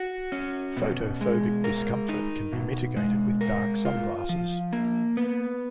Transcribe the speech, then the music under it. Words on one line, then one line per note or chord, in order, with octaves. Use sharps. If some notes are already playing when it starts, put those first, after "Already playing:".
Photophobic discomfort can be mitigated with dark sunglasses.
Already playing: F#4
C#4
B2
G#3
A#4
D#4
B2
G#3
A#4
F4
F3
A#3
B3